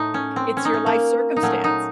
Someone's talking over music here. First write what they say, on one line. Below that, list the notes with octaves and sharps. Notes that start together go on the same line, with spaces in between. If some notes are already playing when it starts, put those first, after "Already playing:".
it's your life circumstance.
Already playing: A2 A3 D#4
C#4
C4
C#4
D#4
C#4
A#3
D#4
A#2 F#3 A3 C#4
D#4